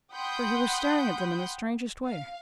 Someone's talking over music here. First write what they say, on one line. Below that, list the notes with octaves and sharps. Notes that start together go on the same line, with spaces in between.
For, he was staring at them in the strangest way.
F#5 G5 B5 C6 D#6 G6
F5